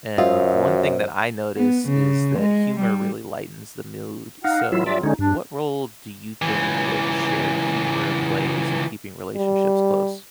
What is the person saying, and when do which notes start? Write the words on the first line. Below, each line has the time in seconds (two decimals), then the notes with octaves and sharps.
And one thing that I notice is that humor really lightens the mood. So, what role do you think that shared humor plays in keeping relationships close?
0.18 F#2 F4 F#4 C5 D#5 E5
1.57 B3
1.89 C#3
2.39 G#3
2.80 G3
4.44 D#4 F5 F#5
4.72 F#3 E4 F4 E6
4.86 F#3 F4 D5 E5
5.03 D3 G#3 C#4 D#4
5.19 G2 D4
6.42 C#2 E3
9.36 G3